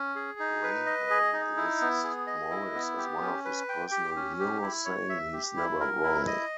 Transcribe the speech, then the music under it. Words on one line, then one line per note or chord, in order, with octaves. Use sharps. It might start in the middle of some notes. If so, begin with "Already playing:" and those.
Graham lists Morris as one of his personal heroes, saying he's never wrong.
Already playing: C#4
G#4
D#4
B4
D#5
G#4
D#4
E4
B3
G#4
D#5
E4
B3
G4
C#4
B4
G5
G4
C#4
G4
E4
C#5
E5
G4
E4
A#4
E4
D#5